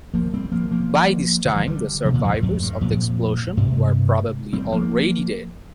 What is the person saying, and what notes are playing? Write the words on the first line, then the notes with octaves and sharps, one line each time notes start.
By this time the survivors of the explosion were probably already dead.
F3 A#3
G3 C4
F3 A#3
F3 A#3
D3
F3
D3 G3
C3 F3
A#2 D3
F2
G2
F2
G2
F2 A#2
G2 C3
G3 C4
F3 A#3